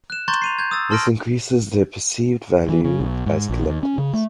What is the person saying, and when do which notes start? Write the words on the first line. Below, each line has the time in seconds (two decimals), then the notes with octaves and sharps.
This increases their perceived value as collectibles.
0.10 F#6 E7
0.28 A#5 C6 C#6 G6 A6
0.42 C7 D#7 F7
0.59 G6 G#6
0.71 D#6 E6 A6
0.91 A5 C6 F6 A#6 D7
2.69 E3
2.84 C#3
3.00 B1
3.26 G#2
3.49 A#1
3.64 D#2
3.83 C#4
3.98 C#3
4.13 A3